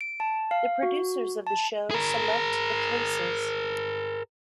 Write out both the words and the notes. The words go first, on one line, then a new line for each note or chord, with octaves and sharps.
The producers of the show select the cases.
D7
A5
F5
F#4
A5
G#4 A#4